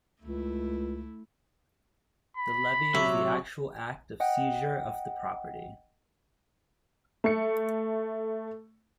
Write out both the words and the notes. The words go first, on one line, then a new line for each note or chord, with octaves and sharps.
The levy is the actual act of seizure of the property.
C#2 A3 E4
B5
C3 F#3 E5
D#5 F#5 G5
A3 C#7